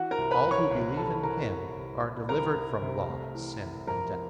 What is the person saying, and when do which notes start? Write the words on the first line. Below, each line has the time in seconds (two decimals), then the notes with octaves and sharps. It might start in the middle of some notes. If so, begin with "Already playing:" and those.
All who believe in Him are delivered from law, sin and death.
Already playing: E3 F#4 F#5
0.11 A#4 A#5
0.18 C2
0.31 B4 B5
0.44 C2
0.51 C#5 C#6
0.71 C2
0.97 E3 A4 A5
1.23 E3 A#4 A#5
1.50 C2
1.76 C2
2.02 C2
2.29 C2 A#4 A#5
2.56 C2
2.82 C3
3.09 A3
3.35 E3
3.61 E3
3.87 F2 A#4 A#5